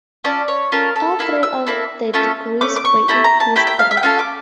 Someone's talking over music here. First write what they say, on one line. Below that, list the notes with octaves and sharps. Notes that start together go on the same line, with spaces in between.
All three of the degrees were in history.
C#4 F4 A4 D5
C#5
C#4 F4 A4 A#4
A4
A#3 E4 A4 F5
E6
A#3 E4 A4
A3 C#4 F4 A4
A3 C#4 D6
D6
C#6
A3 E4 G4 A#5
A#5
A5
A3 E4 G4 G5
G5
F5
E5
G5
C#4 F4 A4 F5
D6